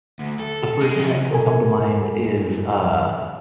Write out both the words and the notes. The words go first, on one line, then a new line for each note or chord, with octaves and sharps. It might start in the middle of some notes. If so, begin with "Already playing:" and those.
the first thing that can come to mind is, uh,
D2
A4
G#3
F3 C#4
A4 A#4 G#5